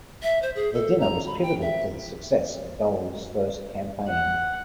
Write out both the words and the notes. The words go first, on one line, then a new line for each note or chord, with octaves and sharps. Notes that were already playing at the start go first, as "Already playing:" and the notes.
The dinner was pivotal to the success of Dole's first campaign.
E5
C5
G#4
A4
A#5
B5
G5
E5
F#5